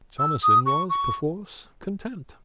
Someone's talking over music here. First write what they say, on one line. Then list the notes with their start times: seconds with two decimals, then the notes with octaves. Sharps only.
Thomasin was perforce content.
0.19 E6
0.42 D#6
0.66 C#6
0.90 C#6